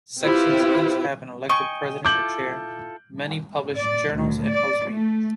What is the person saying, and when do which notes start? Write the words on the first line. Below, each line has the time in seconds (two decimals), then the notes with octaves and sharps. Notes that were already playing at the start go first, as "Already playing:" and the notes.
Sections each have an elected president or chair; many publish journals and host meetings.
0.22 C4 E4 F4 G4 B4
1.49 D#5 G5 G#5 C#6
2.05 E4 F4 A4 D6 G6 F#7
3.77 D5
4.13 D2
4.48 D5
4.87 A3